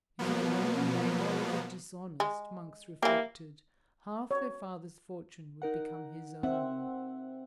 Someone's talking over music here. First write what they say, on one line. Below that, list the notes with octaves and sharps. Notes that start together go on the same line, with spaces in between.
If he could only make Oliver dishonest, Monks reflected, half their father's fortune would become his own.
B2 F3 F#3 A#3 B3
G#3
E3 A#3 G4
C#5
D#4 A#4 F#5
C4 E5 F#5